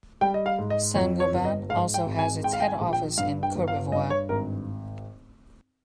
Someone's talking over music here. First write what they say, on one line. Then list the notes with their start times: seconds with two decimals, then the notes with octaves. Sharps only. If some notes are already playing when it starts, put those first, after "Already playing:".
Saint-Gobain also has its head office in Courbevoie.
0.21 G3 G5
0.34 D#5
0.46 F5
0.58 G#2
0.70 D#5
0.95 F2 C#5
1.20 C#5
1.32 G1
1.45 D#5
1.69 G#2 F5
1.94 G5
2.06 G#1
2.19 G#5
2.43 G#2 G5
2.53 F5
2.60 G5
2.68 G#5
2.80 A#1
2.93 G5
3.17 G2 F5
3.43 G5
3.55 G1
3.68 F5
3.92 G2 D#5
4.10 C#5
4.29 G#1 A#4